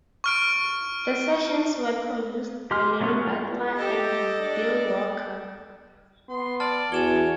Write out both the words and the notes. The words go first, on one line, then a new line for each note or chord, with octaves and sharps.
The sessions were produced by Larry Butler and Bill Walker.
C#6 F6 D7
G4 C6 F6
F#3 A3 B3 C#4
G#3 F4
G4 A4 D#5
D4 D5
B3 C6
D5 A5 F6
E2 F#4 C#5 G#5 E7 G7